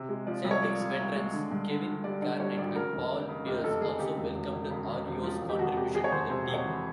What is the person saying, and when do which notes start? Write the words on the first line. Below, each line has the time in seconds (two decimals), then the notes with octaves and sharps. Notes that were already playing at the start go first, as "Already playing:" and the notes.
Celtics veterans Kevin Garnett and Paul Pierce also welcomed Arroyo's contribution to the team.
Already playing: C3
0.09 G#3
0.27 F3 D5
0.45 C2
0.51 C#5
0.62 F3 D5
0.80 F3
0.98 C2
1.15 G#3
1.33 D3
1.51 G2
1.69 D3
1.86 D3
2.04 G3 D5
2.22 D3 D5
2.40 G3 C#5
2.57 G#1 D5
2.75 C#3 A#4
2.93 F1
3.11 C#3
3.29 C#3
3.46 F1 G4
3.64 F1 A4
3.81 F1 G#4
3.99 C#3 G4
4.17 E1
4.35 E1
4.52 E1
4.70 C#3
4.88 C#3
5.06 E1
5.24 F3
5.41 E1
5.49 G4
5.59 F2 F#4
5.77 C3 G4
5.94 F2 G#4
6.04 C#5
6.12 F2 C5
6.30 C3 C5
6.48 C3
6.54 C#5
6.66 E3